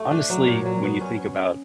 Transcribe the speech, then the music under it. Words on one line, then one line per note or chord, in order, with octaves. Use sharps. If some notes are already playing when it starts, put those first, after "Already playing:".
honestly, when you think about
Already playing: A3
D4
F#3
A#2
F#3
B3
C#4